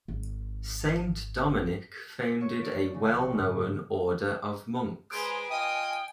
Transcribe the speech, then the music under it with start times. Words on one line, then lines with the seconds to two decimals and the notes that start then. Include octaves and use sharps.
Saint Dominic founded a well-known order of monks.
0.08 G#1 D#3
2.41 C#5
2.62 D5
2.94 C#3
3.07 A#1
3.20 F#4
3.32 G#2
5.11 G#3 G#4 B4 C5 A#5 C6 D7
5.49 F4 D#5 G5 G#5 D#6